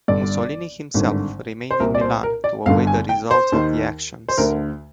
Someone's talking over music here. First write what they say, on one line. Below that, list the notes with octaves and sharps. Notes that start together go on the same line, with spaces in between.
Mussolini himself remained in Milan to await the results of the actions.
G1 G2 D3 D5
G#1 G2 D3
C5
C2 A#2 A#4
D5
C5
A#4
D5
G1 G2 D3 F5
G#5
G5
C5
D#2 D#3
C5
D2 D3 A#4